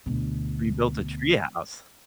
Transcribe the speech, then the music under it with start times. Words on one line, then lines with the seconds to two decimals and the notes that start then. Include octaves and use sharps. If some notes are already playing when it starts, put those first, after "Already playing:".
We built a tree house.
0.06 D2 B2